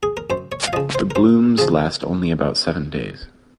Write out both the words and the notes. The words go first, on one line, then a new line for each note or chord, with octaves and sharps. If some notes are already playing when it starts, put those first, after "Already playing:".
The blooms last only about seven days.
G#4
A#4
F#2 C5
C#5
F5
C#3 F3 D#5
C5
A#4
F#2 C5
C#3 F3 G#4